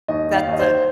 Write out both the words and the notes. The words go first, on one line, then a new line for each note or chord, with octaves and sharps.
that the
D#2 D#5
D#3
F5
D#2
D#5
C5